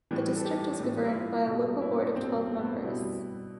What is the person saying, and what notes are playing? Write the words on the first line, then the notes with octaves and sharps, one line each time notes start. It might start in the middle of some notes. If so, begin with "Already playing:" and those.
The district was governed by a local board of twelve members.
A2 E3 G3
A4
G4
A2 E3 G3
E4
F4
B2 G3
E4
D4
B2 G3 C4
A3
B3
C4
D4
B2 G3 E4